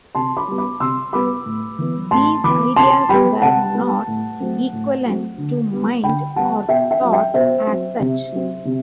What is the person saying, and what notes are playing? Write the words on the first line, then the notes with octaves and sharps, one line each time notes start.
These ideas were not equivalent to mind or thought as such.
C3 A5 C6
B5 D6
G3 B3
B5 D6
C3 C6 E6
G3 B3 B5 D6
A2
E3 B3
A2 A5 C6
E3 B3 B5 D6
C3 A5 C6
G3 B3 G5 B5
C3 F#5 A5
G3 B3
A2
F#3 A3 C4
A2
F#3 A3 C4
D3
G3 B3
D3 G5 B5
G3 B3 F#5 A5
B2 E5 G5
E5 G5
F#3 C4
E5 G5
B2 C5 E5
F#3 C4
C3
F#3 C4
C3